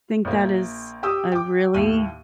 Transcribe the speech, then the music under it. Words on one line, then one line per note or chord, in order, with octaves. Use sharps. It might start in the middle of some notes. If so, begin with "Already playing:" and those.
think that is a really
A#1 A#3
G4 G5 D#6 E6
G5 D6
D#2 A2 D#7